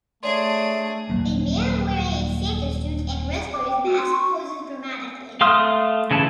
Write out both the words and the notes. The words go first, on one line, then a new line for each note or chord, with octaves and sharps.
A man wearing a Santa suit and wrestler 's mask poses dramatically.
A3 D4 G#4 C#5 D5 C6
D#1 F#3 A#3
D6
G5
F#4
C6
C#6
A3 F5 C6 D#6 F6
C#3 E3 E4 A5